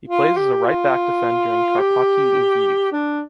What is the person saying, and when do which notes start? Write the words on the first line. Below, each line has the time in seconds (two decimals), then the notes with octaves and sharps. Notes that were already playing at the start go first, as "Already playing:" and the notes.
He plays as a right back defender in Karpaty Lviv.
0.08 F4
0.37 G4
0.65 F4
1.79 G4
2.92 D4